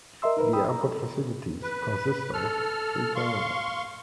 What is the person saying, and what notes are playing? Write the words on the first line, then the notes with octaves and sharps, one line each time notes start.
The airport facilities consist of three terminals.
A#4 D#5 E5 C6 E6
D#4 A#4 B4
G5 B5 D#6 E6
A#5
A4
B4
A4 F6
F5 C6 C#6